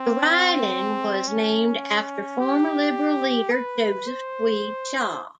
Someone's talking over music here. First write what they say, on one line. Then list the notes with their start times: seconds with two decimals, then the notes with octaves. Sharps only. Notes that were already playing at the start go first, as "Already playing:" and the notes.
The riding was named after former Liberal leader Joseph Tweed Shaw.
Already playing: C4
1.28 C#4
2.40 G4
3.51 B4
4.07 C5